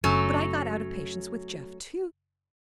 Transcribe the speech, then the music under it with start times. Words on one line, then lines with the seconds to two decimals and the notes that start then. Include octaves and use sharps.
But I got out of patience with Jeff, too.
0.04 F#1 F#3 A3 C#4